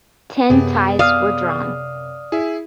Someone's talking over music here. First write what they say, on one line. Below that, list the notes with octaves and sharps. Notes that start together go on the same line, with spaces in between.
Ten ties were drawn.
F#2 C3 B3 G4 G#4
D5 F5 D#6 F6
E4 G#4 E5